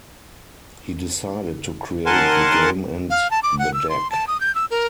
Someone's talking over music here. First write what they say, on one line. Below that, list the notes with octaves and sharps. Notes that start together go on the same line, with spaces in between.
He decided to create the game and the deck.
D#2 A#4 F#5 G#5 A5 C6
F5
A5
D6
F#5
E6
C6
A5
D#6
G6
E6
A#4